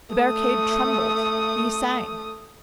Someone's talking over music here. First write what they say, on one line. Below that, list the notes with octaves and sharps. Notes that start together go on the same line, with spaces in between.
The barricade trembled; he sang.
A3 D#6